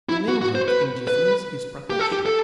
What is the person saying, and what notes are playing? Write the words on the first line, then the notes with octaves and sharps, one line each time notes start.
In England, indifference is protection.
E4
F#4
F#4
C5
B4
B4
G4
A4
G4
A4